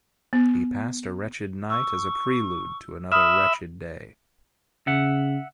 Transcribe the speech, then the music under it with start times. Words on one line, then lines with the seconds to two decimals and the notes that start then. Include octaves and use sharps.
He passed a wretched night as a prelude to another wretched day.
0.33 B3
1.70 C#6 E6
3.12 E5 B5 D#6 F6
4.87 C#3 E5 F#5